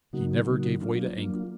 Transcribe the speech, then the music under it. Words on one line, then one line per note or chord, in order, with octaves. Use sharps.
He never gave way to anger.
C#3 F#3 A#3 D#4 F#4
C#3 F#3 A#3 D#4 F#4
F#3 A#3 D4 F4
F#3 A#3 D4 F4